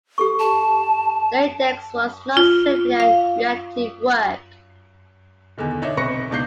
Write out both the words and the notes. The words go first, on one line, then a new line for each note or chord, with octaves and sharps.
The "Index" was not simply a reactive work.
G4 A4 C#6
A5
F4
F5
E2 B2 D3 D#3
D4 D#4 C#5 E5
B1 C3 B4 C#6 A#6 C#7
C#2 B2 D4 D#4 G6 C7